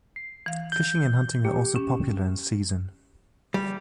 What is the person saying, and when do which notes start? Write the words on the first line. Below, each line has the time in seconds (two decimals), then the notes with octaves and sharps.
Fishing and hunting are also popular in season.
0.16 C7
0.46 E3 F5
0.72 G6
1.45 A#3 G4
1.76 C#4
3.54 G3